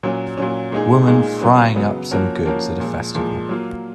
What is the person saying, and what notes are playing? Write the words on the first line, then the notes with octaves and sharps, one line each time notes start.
Woman frying up some goods at a festival.
A#2 F#3 C#4
A#2 F#3 C#4
A#2 G#3 D#4 G#4
A#2 G#3 D#4 G#4
C#3 F#3 B3
C#3 F#3 B3
F3 A#3 C#4 F#4 A#4
F3 A#3 C#4 F#4 A#4
A#2 F3 G#3
A#2 F3 G#3
F#3 A#3 F4